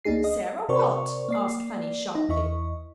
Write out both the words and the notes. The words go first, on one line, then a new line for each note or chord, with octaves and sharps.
'Sarah what?' asked Fanny, sharply.
D2 A#3 D4 D#4 G#4 C7
D#5
C3 F#4 A#4 C5 D5 C#6
A#3 D5 C7
D#4
E2 E4 D#5 C#6